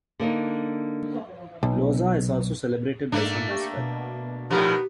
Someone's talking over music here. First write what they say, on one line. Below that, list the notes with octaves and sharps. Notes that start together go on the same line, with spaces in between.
Losar is also celebrated by some as well.
D3 A#3 D4 D#4
B1
G#2 A3 A#3 D4
G4 C#6
B2
A2 D#3 F3 B3 G4 A#4